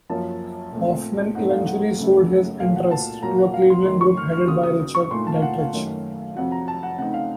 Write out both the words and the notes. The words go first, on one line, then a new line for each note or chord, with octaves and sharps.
Hoffman eventually sold his interest to a Cleveland group headed by Richard Dietrich.
F#2 F3 A#3 C#4 A5
A#2 A3 C4
A2 A3 C4 D#4 F#5
F5
F#5
F#2 C#3 A3
A#2 F#3 A3 F5
F#5
A5
A#2 F#3 A#3 A#5
F#5
F5
C6
F#2 D#3 A3 C6
C#6
F6
F6
C#3 F#3 A#3 D#6
D#6
D#6
C#6
A#2 A3 D#4 C6
A5
F5
F#5
F5
F#2 D#3 A3 C#4
F2 C3 F#3 F#5
A#5
A5
F#5
C#3 A3 C4 D#4 F#5
F5